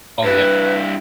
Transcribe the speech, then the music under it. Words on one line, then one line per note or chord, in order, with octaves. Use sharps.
Oh yeah.
G2 E4 B4